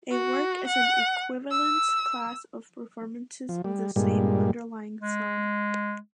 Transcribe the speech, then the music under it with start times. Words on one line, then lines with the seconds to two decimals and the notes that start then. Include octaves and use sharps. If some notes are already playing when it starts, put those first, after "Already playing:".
A work is an equivalence class of performances of the same underlying song.
0.11 F#4
0.67 F#5
1.51 E6
3.49 F3
3.64 G3
3.96 G2 A#2 G3 G#3
4.99 G#3